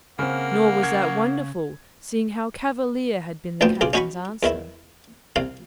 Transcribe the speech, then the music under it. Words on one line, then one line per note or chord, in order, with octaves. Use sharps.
Nor was that wonderful, seeing how cavalier had been the captain's answer.
C#3 A#3 C4 F#5
C#3 G#6
A1 D2 F3 B3 G5 A5
B1 C#3 F4 D6
C#4 D#4 F#4 G#5 B5 C#6
E2 D#3 E4
C2 C3 F5